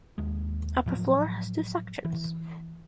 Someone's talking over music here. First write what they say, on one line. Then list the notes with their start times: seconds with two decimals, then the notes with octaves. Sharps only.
Upper floor has two sections.
0.18 D#2 G#3
0.86 A2 F3 F#3
2.05 E3